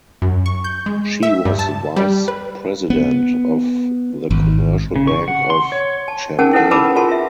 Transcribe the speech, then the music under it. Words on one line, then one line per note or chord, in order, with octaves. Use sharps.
She was vice president of the Commercial Bank of Champaign.
F#2
C#6
G6
G#3
E5
G2
A5
G3
B4
B3
G#1
C#3
C#6
F#5
C6
C#5
A5
C#4 D#4 G#4 A#4 F#5 A5
E4 A4 B4 F#5 A5
E4 B4 A5 B5 D6 E6
F4 G#4 A#4 F#5 A5 C6
F4 E5